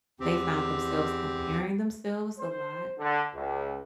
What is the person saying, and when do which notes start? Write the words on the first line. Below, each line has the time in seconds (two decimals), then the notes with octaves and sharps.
they found themselves comparing themselves a lot.
0.20 E2 C4 G4
2.39 C5
2.98 D3
3.34 C#2